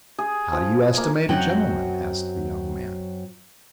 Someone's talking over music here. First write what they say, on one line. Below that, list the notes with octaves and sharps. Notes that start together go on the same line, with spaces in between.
"How do you estimate a gentleman?" asked the young man.
G#4
F3
A#3
F#2 F#3 C4 F#4 F#5 G5